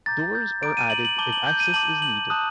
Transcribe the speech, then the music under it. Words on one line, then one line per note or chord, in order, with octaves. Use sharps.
Doors are added if access is needed.
A#5 D6 G6 A6
G6
A#5 D6 G6 D7
D#7
F#7
F#7
A5 D6 G6 G7
F#7
G6
D#7
A5 D6 G6 F#7
F#7
A5 D#6 F#6